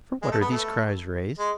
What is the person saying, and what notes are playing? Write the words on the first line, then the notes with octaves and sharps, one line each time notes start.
'For what are these cries raised?
G#3
A3
B3
A3
G#3